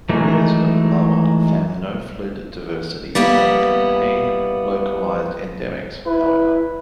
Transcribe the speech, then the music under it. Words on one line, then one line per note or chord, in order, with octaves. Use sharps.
Areas of lower thamnophilid diversity may contain localised endemics, however.
E3 F#3 G#3 A3 D#4
G3 A#3 B3 E4
E4 B4